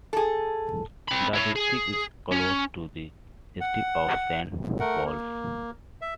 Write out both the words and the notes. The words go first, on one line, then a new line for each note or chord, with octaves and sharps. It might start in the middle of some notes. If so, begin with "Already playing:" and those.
The district is close to the district of Saint Pauls.
G#4 A4
C4 B5
E4 C#5
G#4
C#4
F#5
A3 A#4 F#5
A#3
E5